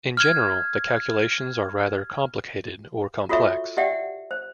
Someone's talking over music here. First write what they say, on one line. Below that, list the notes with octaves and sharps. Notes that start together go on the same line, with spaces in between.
In general, the calculations are rather complicated or complex.
F6 G#6
F4 F#4 A4 C#5 E5 C#6
G4 D5 E5 F#5 G5
C5